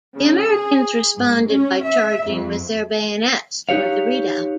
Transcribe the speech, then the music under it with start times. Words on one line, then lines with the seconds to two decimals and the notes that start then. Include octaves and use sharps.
The Americans responded by charging with their bayonets towards the redoubt.
0.17 C#3
0.47 G#4
1.16 G#2
1.49 C#4
1.83 E5
2.27 F2
3.69 D#4 F#4 G4 C#5 F5